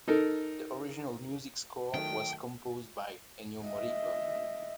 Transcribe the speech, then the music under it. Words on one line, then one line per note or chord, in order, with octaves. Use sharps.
The original music score was composed by Ennio Morricone.
D#4 A4 A#4
D#3 F#3 A3 G5
D#5 E5